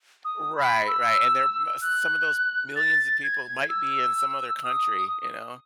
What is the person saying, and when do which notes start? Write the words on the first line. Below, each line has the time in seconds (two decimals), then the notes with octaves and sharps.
Right, right, and there uh, some of those millions of people might be in some other country, you know,
0.25 D#6
0.56 B5
0.88 E6
1.81 F#6
2.76 A6
3.23 G#6
3.69 E6
4.63 D#6